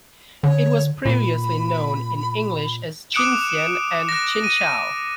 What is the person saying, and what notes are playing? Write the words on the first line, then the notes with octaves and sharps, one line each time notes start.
It was previously known in English as Chinhsien and Chinchow.
D3 C#5
A#2 B5
D6 D#6 F#6 C#7 D7 E7
F#6 A#6
D#7